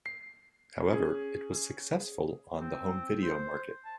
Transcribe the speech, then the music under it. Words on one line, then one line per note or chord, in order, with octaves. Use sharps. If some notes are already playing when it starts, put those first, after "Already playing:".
However, it was successful on the home video market.
C7
C#4 G#4
C4
C5
A5